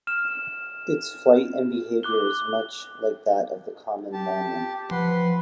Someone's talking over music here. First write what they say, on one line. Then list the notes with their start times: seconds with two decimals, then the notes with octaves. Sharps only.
Its flight and behaviour is much like that of the common Mormon.
0.07 F6 E7
2.03 D6 F#6 G7
4.13 G4 A5
4.91 F3 B4 F#5 C6